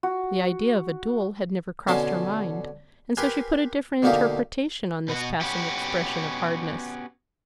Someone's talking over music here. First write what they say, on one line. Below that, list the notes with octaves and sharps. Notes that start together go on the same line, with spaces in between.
The idea of a duel had never crossed her mind, and so she put a different interpretation on this passing expression of hardness.
F#4
B2 D3 C#4 G#5 A5 C6
G4 A#4 B4 G#5 C6
B2 D3 A#3 D#4 F4 G4
B2 B3 F#4
B3 C#4 F#4 G4